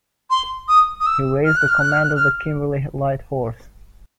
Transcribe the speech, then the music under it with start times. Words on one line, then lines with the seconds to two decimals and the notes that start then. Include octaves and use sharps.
He raised and commanded the Kimberley Light Horse.
0.30 C6
0.68 D#6
1.00 D#6
1.06 E6
1.45 F6
1.57 F#6
1.68 F6
1.80 F#6
1.92 F6
2.04 F#6
2.16 F6